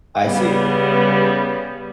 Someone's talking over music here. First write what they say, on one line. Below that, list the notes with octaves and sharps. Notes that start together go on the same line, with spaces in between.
I see.
C#3 G3 B3